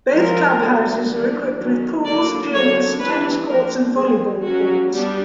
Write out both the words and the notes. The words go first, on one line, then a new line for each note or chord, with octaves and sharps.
Both club houses are equipped with pools, gyms, tennis courts, and volleyball courts.
F3 G#3 C4 A#4
D3 F#3 B3 D4
E3 G3 B3 D4
D#3 F#3 A#3 C#4
D3 F#3 A#3 D4 D5
D3 F#3 A#3 D4 C#5
E3 G3 C4 B4
F3 A#3 D4 A#4
D3 G3 A#3 G#4
F#3 A#3 C#4 F#4
G3 B3 D4